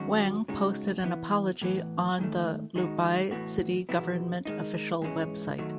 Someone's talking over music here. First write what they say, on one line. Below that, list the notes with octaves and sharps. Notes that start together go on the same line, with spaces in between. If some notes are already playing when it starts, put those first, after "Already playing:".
Wang posted an apology on the Luobei city government official website.
Already playing: G#2 D#3 F#3 C#4 F#4
C#3 G#3 D#4 F#4
E3 B3 E4
A2 E3 B3
G#2 D#3 A3
D#3 G#3 D#4 F#4
A2 E3 B3 F#4
E2 B2 F#3 B3 E4
D#3 G#3 D#4
G#2 E3 G#3 C#4
D#3 F#3 A3